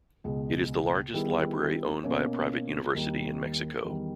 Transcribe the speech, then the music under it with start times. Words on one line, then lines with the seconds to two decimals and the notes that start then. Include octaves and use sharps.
It is the largest library owned by a private university in Mexico.
0.24 C#2 B2 G#3
1.14 D#3 G3 B3 E4 G#4
2.04 B2 A#3 C#4
2.95 D#2 D#3 G3
3.84 E2 D#3 G3